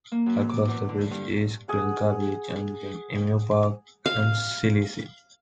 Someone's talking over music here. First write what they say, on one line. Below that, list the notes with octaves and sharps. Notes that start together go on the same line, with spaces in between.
Across the bridge, is Kinka Beach, and then Emu Park and Zilzie.
A#3
F#2
D6
E2
D3
G2
G#4 F#5
F5